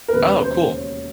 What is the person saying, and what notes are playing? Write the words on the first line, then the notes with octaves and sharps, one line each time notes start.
Oh, cool.
A#4
E1 D#2 C#3 B4
C5
C#5